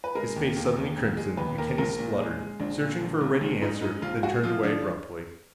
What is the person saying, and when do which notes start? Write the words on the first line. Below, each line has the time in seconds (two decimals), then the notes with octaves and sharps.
His face suddenly crimson, McKenny spluttered, searching for a ready answer, then turned away abruptly.
0.04 B4
0.15 G#3 A#4
0.36 D#2
0.56 D#2
0.76 D#2
0.96 D#2
1.17 G#3
1.37 D#2 B4
1.58 D#2 A#4
1.78 A#1 A#4
1.99 A#2
2.19 G#3
2.39 G#3
2.60 A#1 D4
2.80 A#2
3.01 A#1
3.21 A#1
3.41 A#1
3.62 G#2 D#4
3.82 G#2 D#4
4.02 A#1 F4
4.23 G#3 F#4
4.43 F3 F4
4.63 F3 D4